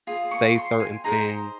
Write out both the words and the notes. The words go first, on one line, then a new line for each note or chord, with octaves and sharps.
say certain things,
F4 G#4
C#6
C6
G#5
D#4 G#4 C5 A#5